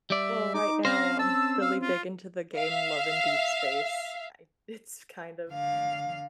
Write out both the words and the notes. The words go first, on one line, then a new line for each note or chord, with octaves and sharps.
Well, right now I'm really big into the game Love and Deepspace. I It's kind of
G3 D5 E5
D#4 D6
C4 C#4 C5 F5 A#6
A5 E6
F5
F4
E5 F5
D3 F5